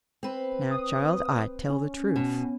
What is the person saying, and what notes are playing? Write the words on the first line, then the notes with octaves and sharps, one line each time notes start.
Now, child, I tell the truth.
C4 B4
D#6
C#4
B2